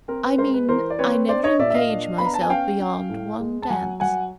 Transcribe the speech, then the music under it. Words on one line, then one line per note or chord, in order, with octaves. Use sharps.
'I mean, I never engage myself beyond one dance.
C4 A#4
B4
G#3 A#4 C5
B4
E3 A#4 C5
D5
C4 B4 C#5
D4 C5 D5
C#5 D#5
A#2 D5 E5
E5
D#5 F5
D4
B3 B5
A#5
A5
G#5
C#4 F5 G5
C#4
A2
G#3
A5
F#3 F#5 G#5
F#3 F#5 G#5